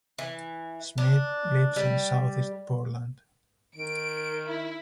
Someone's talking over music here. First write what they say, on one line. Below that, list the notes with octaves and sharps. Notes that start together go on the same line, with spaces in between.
Schmidt lives in Southeast Portland.
E3
D4
G3
D#3 D7
E4